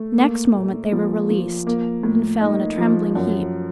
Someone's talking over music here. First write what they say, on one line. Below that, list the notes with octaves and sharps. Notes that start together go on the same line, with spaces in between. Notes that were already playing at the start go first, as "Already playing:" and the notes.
Next moment they were released, and fell in a trembling heap.
Already playing: A3
A#3
A#2
F3
F3
A#3
A2
D#4
F3
F#2